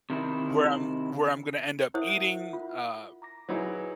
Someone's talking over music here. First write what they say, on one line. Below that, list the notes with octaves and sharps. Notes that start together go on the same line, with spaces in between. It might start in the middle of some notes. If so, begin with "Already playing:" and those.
where I'm where I'm gonna end up eating, uh,
C3 D#3 E4
E4 A#4 C5 E5 F#5 D#6
F4
A#5 D6 A#6
F#3 D#4 E4 G#4 B4 G#5